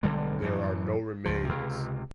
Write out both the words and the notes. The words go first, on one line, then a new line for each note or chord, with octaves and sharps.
There are no remains.
B1 D3 G3 G#3
F#2 A2 E3
C#2 F3
C#2 C3